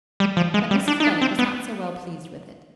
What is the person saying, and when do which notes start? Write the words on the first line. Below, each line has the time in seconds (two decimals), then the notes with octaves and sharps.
But Mrs. Bennet was not so well pleased with it.
0.20 G3
0.37 F3
0.54 G#3
0.71 G3
0.88 D4
1.00 D#4
1.04 D4
1.21 C4
1.39 B3